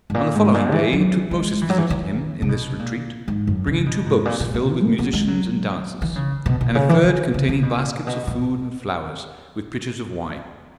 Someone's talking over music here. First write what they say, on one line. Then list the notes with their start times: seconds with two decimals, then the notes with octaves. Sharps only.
On the following day Tutmosis visited him in this retreat, bringing two boats filled with musicians and dancers, and a third containing baskets of food and flowers, with pitchers of wine.
0.10 G#2
0.14 A#2
0.35 G#2
0.54 A#2
0.73 E3
0.93 F#3
1.31 G#3
1.61 E3
1.70 F#3
1.78 E3
1.90 E3
2.42 C#3
2.49 B2
2.79 A#2
3.28 G#2
3.47 F#2
3.67 C#3
3.86 B2
4.06 G#2
4.25 A#2
4.40 A#2
4.54 A#2
4.70 E3
4.84 A#3
4.99 B3
5.13 G#3
5.28 F#3
6.02 E3
6.16 C#3
6.46 B2
6.61 B2
6.75 C#3
6.89 E3
7.04 E3
7.34 C#3
7.49 C#3
7.63 B2
7.77 A#2
8.07 B2
8.27 A#2